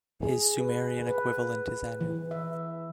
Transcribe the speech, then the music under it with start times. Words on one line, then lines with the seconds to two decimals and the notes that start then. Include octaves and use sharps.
His Sumerian equivalent is Anu.
0.22 G#4
0.58 B4
1.07 B4
2.01 E3
2.31 E5